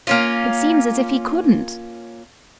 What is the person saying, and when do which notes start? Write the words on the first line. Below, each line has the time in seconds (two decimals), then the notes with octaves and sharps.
"It seems as if he couldn't."
0.07 A#3 C#4 F4